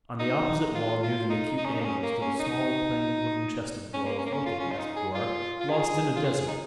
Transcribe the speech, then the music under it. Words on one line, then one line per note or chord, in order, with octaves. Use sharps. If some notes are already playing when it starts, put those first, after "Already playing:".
On the opposite wall near the acute angle stood a small plain wooden chest of drawers looking, as it were, lost in a desert.
D#4
F4
F4
D#4
D#4
C#4
D#4
A#3
C#4
A#3
C#4
D#4
C#4
A#3
C#4
A#3
C#4
F4
C#4
F4
D#4
G#4
F4
F4
G#4
F4
G#4
D#4